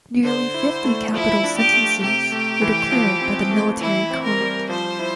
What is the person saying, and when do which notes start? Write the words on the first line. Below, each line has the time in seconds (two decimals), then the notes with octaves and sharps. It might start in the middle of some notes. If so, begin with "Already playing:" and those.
Nearly fifty capital sentences were declared by the military court.
0.24 D3 C5
0.54 E4
0.84 A3
1.14 F3 E4
1.44 D4
1.58 G4
1.73 A3
2.03 C3 G4
2.32 A3
2.62 E3
2.92 F3
3.21 C4
3.51 A3
3.80 E3 E4
4.10 C4
4.25 A#4
4.41 G3
4.69 F3 C5
4.99 E4